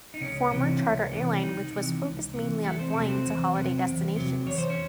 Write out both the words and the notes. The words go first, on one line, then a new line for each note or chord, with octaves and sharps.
Former charter airline which was focused mainly on flying to holiday destinations.
D#4
C#2 C#3 C#4
C3 E3
C#2
C3 E3
C#2 D#3 D#4
C3 E3
C#2
C3 E3
E2 A3 A4
C4 C5
C3 F#3 A3 A4
C4 C5
E2
C3 F#3
E2
C3 F#3
E2 C#5
C5
C#4 C#5